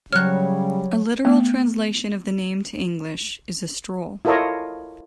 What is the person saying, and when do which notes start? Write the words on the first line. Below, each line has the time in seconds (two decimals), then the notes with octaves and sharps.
A literal translation of the name to English is "a stroll".
0.13 C#3 F#3 G3 C#5 F6 F#6
1.25 A3 B3
4.25 E4 F4 A4 A#4 C#5 D#5